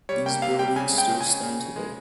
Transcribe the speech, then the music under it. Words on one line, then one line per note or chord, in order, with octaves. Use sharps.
These buildings still stand today.
G3 C#5
A#3 G5
C3 F5
G3 G5
C#3 G#5
G#3
G5
C#3
G#5
C#3
C#3
C#3
G#3